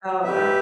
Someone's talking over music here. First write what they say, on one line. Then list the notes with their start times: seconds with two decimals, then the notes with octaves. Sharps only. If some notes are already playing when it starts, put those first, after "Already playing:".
Oh, wow.
0.24 G4 B4 E5